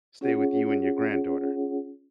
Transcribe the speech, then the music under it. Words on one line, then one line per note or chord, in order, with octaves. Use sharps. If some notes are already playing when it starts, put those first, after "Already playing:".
stay with you and your granddaughter?
C#4 F4 G#4 C#5 F#5